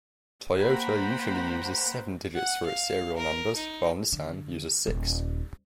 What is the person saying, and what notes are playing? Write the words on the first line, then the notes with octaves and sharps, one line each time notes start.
Toyota usually uses seven digits for its serial numbers while Nissan uses six.
A#3 C5 F#5 G5 A#5 B5
F#5
F5
A#4
D#4
D3
D#1